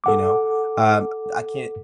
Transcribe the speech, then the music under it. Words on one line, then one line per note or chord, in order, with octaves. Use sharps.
you know? Um, I can't
A4 F#5 D6